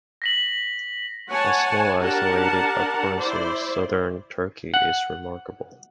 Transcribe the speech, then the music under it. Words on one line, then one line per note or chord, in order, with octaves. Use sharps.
A small, isolated occurrence in southern Turkey is remarkable.
A#6 B6 F#7
C#5 F#5 G#5 A5
D4 G4 A#4 F#5 A5
E4 C5 D5
F#5